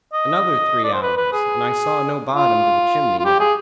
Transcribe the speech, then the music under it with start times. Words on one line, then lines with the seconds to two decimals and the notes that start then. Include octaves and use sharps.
Another three hours, and I saw no bottom to the chimney yet.
0.13 D#5
0.84 D5
0.94 C5
1.02 B4
1.17 B4
1.33 G#4
2.36 F4
3.19 F4
3.25 G4
3.40 G#4